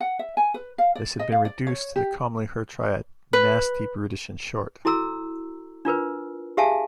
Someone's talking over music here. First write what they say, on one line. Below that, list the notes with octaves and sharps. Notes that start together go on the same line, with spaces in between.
This has been reduced to the commonly heard triad "nasty, brutish and short".
F#5
E5
G#5
B4
F5
D5
D#5
F5
D5
C#5
G4
B4
E4 F#4 A4 A#5 E6
D4 F4 A#4 B4
G4 G#4 E5 F5 G#5 A5